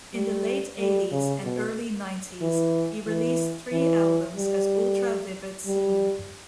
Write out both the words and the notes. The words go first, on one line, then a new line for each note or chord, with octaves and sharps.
In the late eighties and early-nineties he released three albums as Ultra Vivid Scene.
G3
G3
C#3
B2
E3
E3
E3
G3
G3